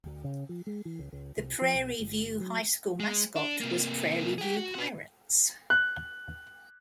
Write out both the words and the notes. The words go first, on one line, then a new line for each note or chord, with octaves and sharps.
The Prairie View High School mascot was Prairie View Pirates.
D2
C#3
F3
G#3
E3
C#2
C#2
C2
F3
B1
G1
F#3
G#3
D4
C3 A#3
G#4 G5
F#4
F#4 B4
F#6